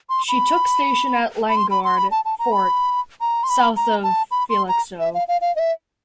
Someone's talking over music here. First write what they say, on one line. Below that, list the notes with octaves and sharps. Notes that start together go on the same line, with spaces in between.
She took station at Landguard Fort, South of Felixstowe.
C6
B5
B5
C6
B5
C6
B5
A5
A5
A#5
B5
A#5
C6
B5
A#5
A5
B5
C6
A#5
E5
F5
F5
F5
D#5
E5